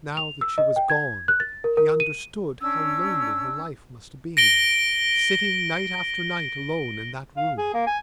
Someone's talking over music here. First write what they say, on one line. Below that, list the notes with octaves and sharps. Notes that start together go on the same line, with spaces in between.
Now that she was gone he understood how lonely her life must have been, sitting night after night alone in that room.
F7
E6
D#5
G5
G#6
F#6
A6
A#4
A#4
D#7
C#4 D4 E6
A#6 D7 G7
F5
G#4
A#3
G#5